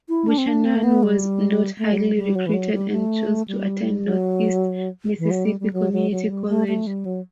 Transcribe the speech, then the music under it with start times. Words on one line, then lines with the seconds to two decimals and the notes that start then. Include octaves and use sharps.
Buchanan was not highly recruited and chose to attend Northeast Mississippi Community College.
0.09 E4
0.28 D4
0.38 C4
0.47 D4
0.65 C4
0.75 A3
0.84 B3
1.03 G3
1.78 A3
1.92 F#3
1.97 G3
2.16 G3
2.35 F#3
2.46 E3
2.54 F#3
2.73 G3
2.92 A3
3.48 G3
4.05 F#3
5.19 E3
5.31 F#3
5.45 G3
5.60 G3
5.73 F#3
5.93 F#3
6.11 F#3
6.30 G3
6.48 A3
6.68 A3
6.87 G3
7.06 F#3